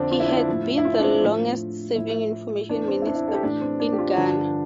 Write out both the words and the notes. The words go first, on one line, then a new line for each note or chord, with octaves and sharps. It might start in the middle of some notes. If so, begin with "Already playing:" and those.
He has been the longest serving Information Minister in Ghana.
Already playing: F2 D3 F3 C4 D4
F4
E4
D4
E4
A2 F3
E4
F4
D4
C4
A2 F3
A2 F3 E4
E2 E3 D4
C4
E4
D4
E4
A4
G4
A2 E3 D4
C4
D4
G4
F4
G2 D3 F3 D4